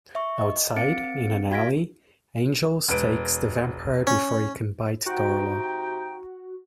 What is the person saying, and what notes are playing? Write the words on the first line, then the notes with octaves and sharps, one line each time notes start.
Outside, in an alley, Angel stakes the vampire before he can bite Darla.
E5 C#6
D#5
C4 A#4 F5 A6 C#7 D7
F#4 F5 G#6 A#6 B6 D7
E1 B4 D7
C#4
C3 D#4 F#4 G5